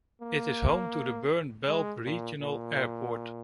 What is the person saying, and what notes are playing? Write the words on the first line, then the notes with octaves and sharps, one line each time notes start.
It is home to the Bern-Belp regional airport.
A#3
G#3
A#2
A#2